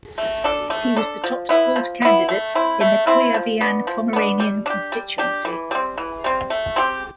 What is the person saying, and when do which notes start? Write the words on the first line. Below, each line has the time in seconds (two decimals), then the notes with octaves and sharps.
He was the top scored candidat in the Kuyavian-Pomeranian constituency.
0.18 A3
0.44 D4 A4
0.70 A3
0.96 D4 A4
1.24 F3
1.49 B3 E4
1.76 F3
2.02 B3 E4
2.29 A3
2.55 C4 E4
2.81 A3
3.07 C4 E4
3.34 F3
3.61 B3 D4
3.87 F3
4.13 B3 D4
4.40 G3
4.66 D4 G4
4.92 G3
5.18 D4 G4
5.45 E3
5.71 G3 C4
5.98 E3
6.24 G3 C4
6.50 A3
6.76 C4 G4